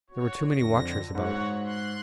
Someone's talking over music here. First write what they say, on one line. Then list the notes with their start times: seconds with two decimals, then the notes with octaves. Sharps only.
There were too many watchers about.
0.10 F#4 C#5
0.51 F2 D3 A#6
1.15 G#2 F#4 C#5 F#5
1.65 C6 F#6